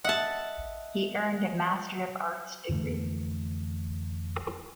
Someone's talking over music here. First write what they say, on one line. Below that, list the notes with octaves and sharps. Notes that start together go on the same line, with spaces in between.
He earned a Master of Arts degree.
D#5 E5 F#5 A5
F2 D3 E3 A3